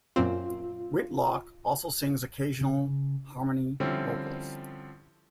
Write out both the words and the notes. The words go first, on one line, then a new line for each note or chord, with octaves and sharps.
Whitlock also sings occasional harmony vocals.
F#2 A#2 C4 F4
C#3
D3 F3 G3 C4 C#4 E4